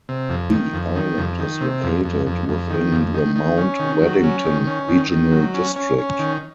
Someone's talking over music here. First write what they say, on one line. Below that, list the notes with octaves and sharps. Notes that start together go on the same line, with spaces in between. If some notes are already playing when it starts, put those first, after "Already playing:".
The island is located within the Mount Waddington Regional District.
C3
F2
D#3
F2
D#3
F2
D#3
C3
F2
F2
F2
F2
D#3
F2
D#3
D#3
C#4
D#3
F#3
C#4
D#3
C#4
D#3
D#3
F#3
C#4
C#4
C#4
D#3